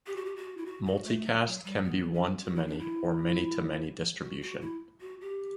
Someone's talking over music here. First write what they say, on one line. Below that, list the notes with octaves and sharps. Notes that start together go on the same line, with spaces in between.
Multicast can be one-to-many or many-to-many distribution.
G4
F#4
G4
F#4
E4
F#4
F#4
A3
F#3
F#3
G3
B3
C#4
F#4
E4
D4
E4
F#4
F#4
E4
F#4
G4